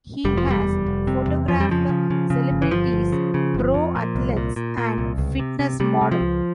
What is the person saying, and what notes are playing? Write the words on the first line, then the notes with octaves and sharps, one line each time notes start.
He has photographed celebrities, pro athletes and fitness model.
F1 G3
F3
E2 G3
F1
F1
C3
E2
F2 F3
G3
C#3 F3
C#3
C#3
C#3
G1
E3
G1 F3
G1
C#3
C#3
G1
F2
A#2
C2
A#2
A#2
A#2
C2
C#2
C3
C3
C3 G3
C3
F3
C#2